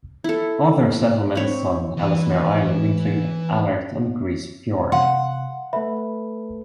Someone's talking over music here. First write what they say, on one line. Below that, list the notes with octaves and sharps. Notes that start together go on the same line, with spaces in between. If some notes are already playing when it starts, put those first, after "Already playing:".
Other settlements on Ellesmere Island include Alert and Grise Fiord.
E4 A4
C4 C#5 B5
E3 B5
C3 F5 F#5 C6
A3 A4 B4 E5 B5